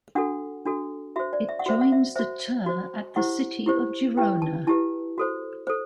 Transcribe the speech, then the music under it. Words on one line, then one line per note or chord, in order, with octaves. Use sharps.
It joins the Ter at the city of Girona.
D4 F#4 A4 F#5
D4 F#4 A4
F#4 C5 E5
D5
E5
F#5
F#4 C5 E5
F#5
E5
F#4 C5 E5
F#4 C5
E4 G4 C5 F#5
E4 G4 C5
E4 G4 B4 G5
A5
E4 G4 B4 A5
F#4 A4 C5
A4 C5